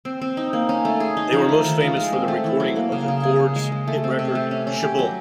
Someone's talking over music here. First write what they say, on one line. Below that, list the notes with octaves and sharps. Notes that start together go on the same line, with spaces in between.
They were most famous for their recording of The Chords' hit record, Sh-Boom.
C4
C4
D#4
A#3
C#4
A3
G#4
D#4
F3
A3
D#3
F4
G#3
C4
A3
E3
F#3
A#3
C#3
C#3
G#4
G#4
G#3
G#3
A3
C4
C3
A3
C#4
C#4
G4
F#3